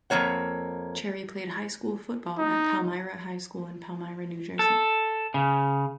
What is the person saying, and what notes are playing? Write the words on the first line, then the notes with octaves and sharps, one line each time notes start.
Cherry played high school football at Palmyra High School in Palmyra, New Jersey.
F2 F3 A#3 C#5 F#5
D#4
A4
C#3